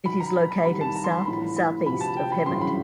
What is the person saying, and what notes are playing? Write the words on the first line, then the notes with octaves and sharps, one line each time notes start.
It is located south-southeast of Hemet.
B1 B2 B5
A#5
B5
B5
C2 C3 D#3 B5
A5
A#5
C6
B5
A#1 A2 E3 B5
B5
D2 C3 F3 B5
A5
G5
B5
G1 F#2 C#3 E3 C6
B5